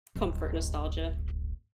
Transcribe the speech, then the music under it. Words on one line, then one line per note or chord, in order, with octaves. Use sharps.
comfort nostalgia.
D1 G1